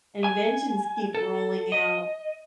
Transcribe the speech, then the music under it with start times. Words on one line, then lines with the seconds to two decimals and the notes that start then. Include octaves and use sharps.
inventions keep rolling out.
0.24 G#5
1.15 A4
1.72 D#5